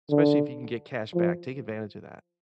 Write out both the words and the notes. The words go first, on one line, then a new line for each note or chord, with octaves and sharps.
especially if you can get cash back, take advantage of that.
D3
F3